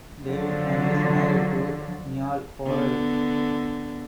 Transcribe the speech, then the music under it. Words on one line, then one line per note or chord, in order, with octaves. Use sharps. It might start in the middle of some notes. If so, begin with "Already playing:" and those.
Davidman is married to Neal Horrell.
D3 F3 F#3
D3 B3